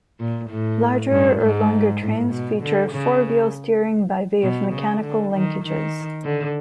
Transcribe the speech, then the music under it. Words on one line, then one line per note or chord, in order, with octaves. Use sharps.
Larger or longer trains feature four-wheel steering by way of mechanical linkages.
A#2
A2
G2
G#2
A2
B2
D3
C#3
B2
C#3
D3
D#3
D#3
D3